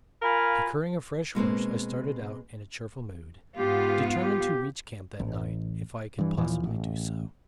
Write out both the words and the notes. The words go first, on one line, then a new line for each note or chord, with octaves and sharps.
Procuring a fresh horse, I started out in a cheerful mood, determined to reach camp that night if I could possibly do so.
F4 A#4 F5 G#5 B5
B2 G#3 A#3 C4
G#2 B3 F4 G4
G4
A1
G2 E3
D#2 A#2 E3 F3
A1